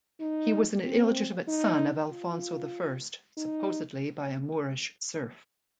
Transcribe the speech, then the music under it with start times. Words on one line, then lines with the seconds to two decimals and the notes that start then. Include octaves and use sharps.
He was an illegitimate son of Alfonso the First, supposedly by a Moorish serf.
0.20 D#4
0.84 C4
1.48 D#4
2.11 F4
3.37 D#4